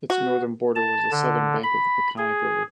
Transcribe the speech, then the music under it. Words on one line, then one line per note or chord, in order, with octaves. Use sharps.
Its northern border was the southern bank of the Peconic River.
F#4
A5
D3
B5
G#4